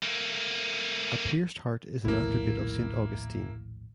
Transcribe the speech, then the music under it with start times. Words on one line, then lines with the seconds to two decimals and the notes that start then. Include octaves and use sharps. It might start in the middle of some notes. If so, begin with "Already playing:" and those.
A pierced heart is an attribute of Saint Augustine.
0.03 A3 A#3
2.05 A#1 D#2 A2 A#3 E4